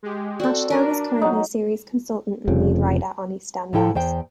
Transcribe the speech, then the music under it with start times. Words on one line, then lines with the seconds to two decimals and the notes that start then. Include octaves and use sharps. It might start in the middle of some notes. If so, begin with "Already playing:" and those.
Ashdown is currently series consultant and lead writer on EastEnders.
0.03 G#3 G4
0.40 C4 F#4 A4 D5
0.70 D4 A#4 B4
1.22 F#3 D#4
2.48 F1 F2 C#3
3.73 A2 F3 E4 A4 G5
3.95 E2 C5 G5